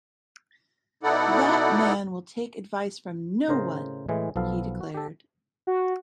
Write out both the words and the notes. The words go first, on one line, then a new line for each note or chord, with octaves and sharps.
"That man will take advice from no one," he declared.
B2 D#4 E4 A4 D5 F#5
A2 C#3 A#4 C5 D#5
A2 E3 G#3
B1 F3 B3 A4 F5
F#4
G4 A4
F#4